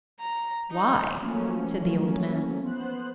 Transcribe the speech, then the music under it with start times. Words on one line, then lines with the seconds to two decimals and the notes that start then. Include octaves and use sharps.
"Why?" said the old man.
0.20 A#5
0.71 D#4
1.22 F3 F#3 A3 A#3 C#4
2.62 B3 C5 F#6